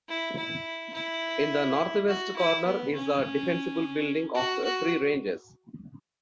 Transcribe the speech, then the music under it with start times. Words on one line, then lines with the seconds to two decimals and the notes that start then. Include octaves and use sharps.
In the northwest corner is a defensible building of three ranges.
0.08 E4
0.37 E4
0.93 E4
2.08 F#4
2.36 E4
2.65 B3
2.93 C#4
4.34 F#4
4.63 F#4